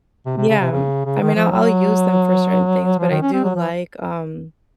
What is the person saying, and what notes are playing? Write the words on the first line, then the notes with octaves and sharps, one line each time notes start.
yeah. I mean, I'll I'll use them for certain things, but I do like, um,
C3
C3
C#3
C3
C#3
C#3
D#3
F3
F#3
F3
D#3
C#4
C4
F#3
F3